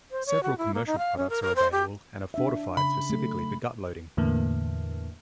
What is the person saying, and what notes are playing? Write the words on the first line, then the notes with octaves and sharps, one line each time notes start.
Several commercial products are available and are fortified specifically for gut loading.
C5
C#5
F#4
E4
A#3
D#4
F5
C#4
A#4
A#4
C5
G4
D4 E5
C#3 B5
F#3 A3
E2 A2 D3 A#3